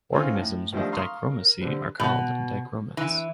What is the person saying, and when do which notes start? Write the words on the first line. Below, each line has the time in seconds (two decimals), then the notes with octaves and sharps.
Organisms with dichromacy are called dichromats.
0.12 E3 C4 C#4 D#4 F4
0.35 A2
0.72 D#3 F3 G3 A3 D4 D#5
0.92 F5 A#5 C6 C#6 D#6
1.32 A#4
1.61 D3 G3 C4 B4
2.00 B2
2.97 E3